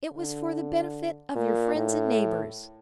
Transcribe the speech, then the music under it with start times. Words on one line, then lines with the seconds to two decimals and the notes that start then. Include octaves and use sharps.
It was for the benefit of your friends and neighbors.
0.18 D3
1.35 A#2
1.75 A2